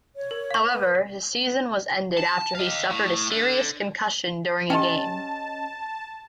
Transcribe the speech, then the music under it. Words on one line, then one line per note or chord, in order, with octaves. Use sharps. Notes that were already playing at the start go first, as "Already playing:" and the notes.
However his season was ended after he suffered a serious concussion during a game.
C#5
A#4
F5 C#6
B4
A5
D#5 F5
A2
D3
C#4 G4 D#5 G5 A5